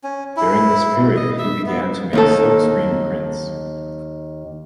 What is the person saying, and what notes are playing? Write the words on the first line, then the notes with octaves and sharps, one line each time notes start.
During this period he began to make silkscreen prints.
C#4
E4
D#5
E5
B3
D#2 D#4 A4